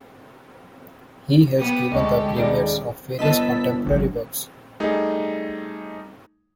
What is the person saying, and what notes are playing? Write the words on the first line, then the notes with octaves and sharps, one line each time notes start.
He has given the premieres of various contemporary works.
B3 G4 D#6
D2 G#3 G4 A4 D#5 C#6
D#1 C#3 G3 D#4 D5 D7
G1 A#3 B4 D#5 A5 E6 B6
G#1 D2 F#3
G3 A3 D#4 G#4